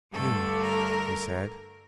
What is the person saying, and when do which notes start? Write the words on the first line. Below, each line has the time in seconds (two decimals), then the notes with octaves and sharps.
"You?" he said.
0.13 G2 D3 A3 A4
0.61 A#4